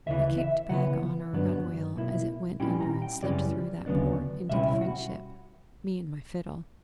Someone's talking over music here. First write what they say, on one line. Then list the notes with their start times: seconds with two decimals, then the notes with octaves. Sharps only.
I kicked back on our gunwale as it went under and slipped through that port into the French ship--me and my fiddle.'
0.06 D2 C#3 E3 E5
0.38 E5
0.70 C#3 E3 B3 F#5
1.33 G2 D3 F#3 B3 D4
1.96 B1 B2 A#3 E4
2.60 A#2 G3 C#4 E4 G5
2.80 A#5
3.02 G5
3.23 F#2 C#3 E3 G3 C#4 D5
3.86 D2 C#3 F#3 B3 D4
4.49 C#2 B2 G3 C#4 E4 E5
4.81 F#4